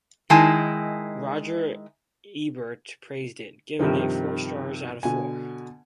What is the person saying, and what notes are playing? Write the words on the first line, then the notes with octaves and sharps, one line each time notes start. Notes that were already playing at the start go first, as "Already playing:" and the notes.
Roger Ebert praised it, giving it four stars out of four.
D#3 G#3 D#4 E4 G#5 A5
G2 C3 D#3 F3
B2 D3 G#5